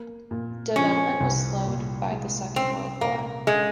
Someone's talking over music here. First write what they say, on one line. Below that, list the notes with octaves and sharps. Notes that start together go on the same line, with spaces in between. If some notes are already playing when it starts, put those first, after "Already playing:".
Development was slowed by the Second World War.
Already playing: A#3
A#2
F3 C#4
C2
A#2
G#3
C4 C#4
A#2 A#3
G#3 C#4